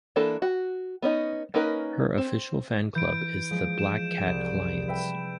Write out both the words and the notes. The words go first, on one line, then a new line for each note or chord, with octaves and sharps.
Her official fanclub is the "Black Cat Alliance".
E3 A#3 D4 E4 A4
F#4
B3 C#4 D#4
A#3 C#4 D#4 A#4 B4
C4
E3 G6 D7
F3 G#3
E7
C2 E7
B4 E5 G5